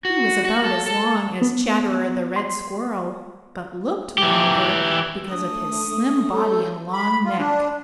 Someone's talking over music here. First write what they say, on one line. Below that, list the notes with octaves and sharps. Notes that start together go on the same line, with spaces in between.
He was about as long as Chatterer the Red Squirrel but looked longer because of his slim body and long neck.
F#4
F#4
A4
A4
B3
C6
E3 G4
A3 D4 D#6
E4 G#4 A4 C#5 G6
B5
F4
D4